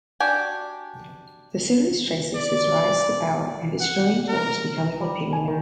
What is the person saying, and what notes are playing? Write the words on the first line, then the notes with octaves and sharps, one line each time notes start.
The series traces his rise to power and his journey towards becoming the Penguin.
D4 F#4 G4 G#5
D5
F#5
A#4
G3
G#5
D#3